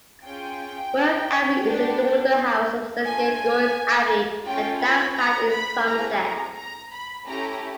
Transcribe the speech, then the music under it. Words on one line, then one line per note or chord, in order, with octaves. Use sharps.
Worth Abbey is a daughter house of Saint Gregory's Abbey, at Downside, in Somerset.
C#4 F4 G#4 G5
B3 D4 G4
A3 D4 F4 G#5
A3 C#4 F4 G5
B5
A#5
B5
A3 C4 E4 G#4 A#5
A#5
A#5
B5
A3 C#4 E4 G4 A#5